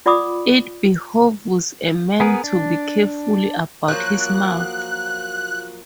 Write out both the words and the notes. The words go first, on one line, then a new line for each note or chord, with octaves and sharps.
It behooves a man to be careful about his mouth.
F4 D5 F#5 B5 D6 D#6
B3 G#4 A#4 B4
D4
F3 F#3 A#3 F#6